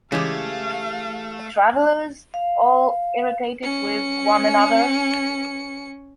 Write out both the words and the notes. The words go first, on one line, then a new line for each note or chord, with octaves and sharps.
The travelers, all irritated with one another...
C#3 E3 G#3 A3 G4 G#4 F5
F5
C#4 C#7